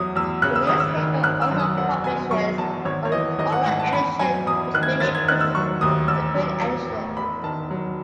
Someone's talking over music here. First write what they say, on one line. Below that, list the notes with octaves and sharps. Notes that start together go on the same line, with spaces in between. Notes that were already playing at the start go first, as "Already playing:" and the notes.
The newspaper also publishes an online edition, which mimics the print edition.
Already playing: E2 F#3 D#6
E2 E6
C#3 F#6
E6
G#1 D#6
E6
D#3
G#1 F#6
E6
F#2
D#6
E1 F#5
B2 G#5
F#3 C#6
E2 A5
G#1 C#5
C#5
E3 D#5
G#1 D#5
F#5
G#2 F#5
A5
E2 B5
F#3 G#5
E2 D#6
D#3 F#6
G#6
E1 A6
G#6
D#3 F#6
E6
F#3 C#6
D#2 D#6
A1 E6
F#3
A1
A2
E1 B5
D#3 A5
F#3